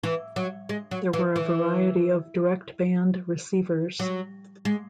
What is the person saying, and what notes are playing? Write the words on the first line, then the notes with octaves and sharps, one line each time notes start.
There were a variety of DirectBand receivers.
E3
F#3
G#3
F#3
E3
E3
F#3
G#3